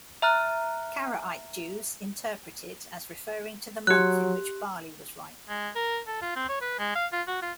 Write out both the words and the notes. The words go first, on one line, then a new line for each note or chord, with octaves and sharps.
Karaite Jews interpret it as referring to the month in which barley was ripe.
E5 A#5 F6 F#6
F#3 G4 F#6
G#3
A#4
A4
F4
C4
C#5
B4
G#3
F5
F4
F#4
F4